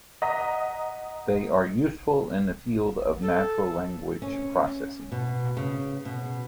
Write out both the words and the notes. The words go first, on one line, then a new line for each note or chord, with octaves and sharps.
They are useful in the field of natural language processing.
D#5 F#5 A#5 D#6 A#6 B6
A4
C#4
B2
C#3
B2